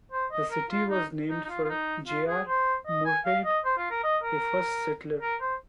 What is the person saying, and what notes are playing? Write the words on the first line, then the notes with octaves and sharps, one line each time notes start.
The city was named for J. R. Moorhead, a first settler.
C5
D#5
A#4
F4
D#4
D#4
D#4
F4
F4
D#4
F4
G#4
C5
D#5
G#5
F5
D#5
C5
F4
A#4
D#5
A#4
A#4
C5